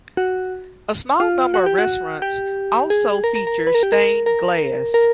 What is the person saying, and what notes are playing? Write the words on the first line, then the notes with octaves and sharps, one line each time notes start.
A small number of restaurants also feature stained glass.
F#4
F4
F#4
G4
F#4
G4
G#4
A#4
A#4
A#4
B4
A#4
G4
A#4
A#4
A#4